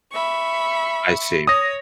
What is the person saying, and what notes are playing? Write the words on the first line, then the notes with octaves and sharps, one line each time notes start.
I see.
E5 B5 C#6
C#5 D#6 A#6